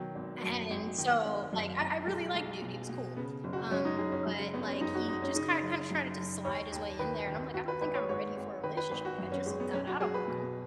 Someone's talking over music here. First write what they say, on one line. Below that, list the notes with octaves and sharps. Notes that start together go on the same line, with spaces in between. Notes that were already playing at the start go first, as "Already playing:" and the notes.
and so like I I really like dude, he was cool, um, but like, he just kind kinda tried to slide his way in there, and I'm like, "I don't think I'm ready for a relationship, like, I just got out of one
Already playing: B2 D#3 F#3
G#1
F#2
G#1
D#3
G#1
F#2
G#1
B1 G#3
B1
B2
B2
C#3 B3
F#1
F#4
F#2 C#4
D#4
F#1 G#4
C#4
C#3 F#3
G#3
G#1 B3
C#4
F#2 D#4
F#4
G#1 D#4
C#4
C#3 D#4
F#1
F#2
F#1
D#2 C#5
D#2
D#3 B4
D#3
D#3 F#4
B4
G#1 B4
C#5
G#2 C#5
G#1
D#3 B4
B4
G#1 B4
F#4
F#2
C#4
G#1 G#3
B3
B1 C#4
F#4
B1 G#4
B4
B2